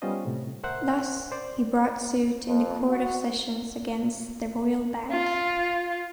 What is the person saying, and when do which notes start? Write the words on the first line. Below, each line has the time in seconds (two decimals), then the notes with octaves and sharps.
Thus he brought suit in the Court of Sessions against the Royal Bank.
0.02 G3 B3 C#4 F4 C5 D#5
0.25 A2 C3
0.63 A#4 C5 E5 F#5 C6 F#6
1.32 C5 D5
2.48 F2
2.89 F#4
5.11 F4